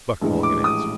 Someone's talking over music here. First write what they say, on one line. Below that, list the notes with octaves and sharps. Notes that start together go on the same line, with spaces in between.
Buck Mulligan answered.
A#1 A2 E3 G#3
D6
D#6